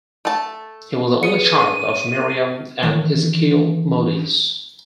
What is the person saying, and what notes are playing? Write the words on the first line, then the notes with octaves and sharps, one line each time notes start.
He was the only child of Miriam and Ezekiel Modise.
A3 A5
G#4 B4 C#7 D#7
D#3 E3